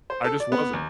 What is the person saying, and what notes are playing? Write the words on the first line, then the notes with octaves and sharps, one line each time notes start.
I just wasn't.
C5
A4
D5
B3
D#2